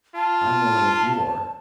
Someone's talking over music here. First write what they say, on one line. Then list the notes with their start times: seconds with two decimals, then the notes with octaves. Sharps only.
"I'm willing if you are."
0.16 F4 A5